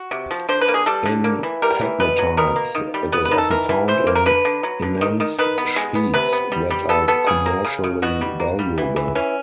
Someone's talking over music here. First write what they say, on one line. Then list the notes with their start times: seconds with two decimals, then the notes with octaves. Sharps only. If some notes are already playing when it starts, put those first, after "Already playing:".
In pegmatites, it is often found in immense sheets that are commercially valuable.
Already playing: F#4
0.11 C3
0.31 F3
0.49 D3 C5
0.61 B4
0.68 A#3
0.74 G#4
0.86 G3 A4
1.06 D3
1.24 A#3
1.43 E3
1.62 G3 A#4
1.81 E3
2.00 B2 B4
2.19 F#3
2.37 B2 A#4
2.56 A#3
2.75 D#3
2.94 G3
3.12 B3 B4
3.25 B4
3.31 D#3
3.38 A4
3.50 E3 A#4
3.69 E3
3.88 E3 C5
4.07 A#3
4.15 A#4
4.26 D3 B4
4.45 D3
4.63 F#3
4.82 D3
5.01 D#3
5.20 D#3
5.38 D#3 B4
5.58 B3
5.76 G#3
5.95 B3
6.14 C3 B4
6.33 B3
6.52 G3
6.71 G3
6.89 B3 A4
7.08 B3 A4
7.27 C#3 G#4
7.46 A#3
7.65 C#3
7.84 C#3
8.02 B2 F#4
8.21 G3
8.40 A#3
8.59 G3
8.78 E3
8.96 E3
9.15 E3 C#4